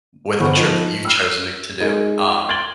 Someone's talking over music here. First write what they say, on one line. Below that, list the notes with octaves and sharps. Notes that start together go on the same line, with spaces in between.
with a trip that you've chosen, eh, to do. Um,
G1 E3 B3 C5 C#6
F3 D#4 F7 F#7
E6 F6 C7
G#3 D#4
C6 G#6 A6 D7 F#7 G7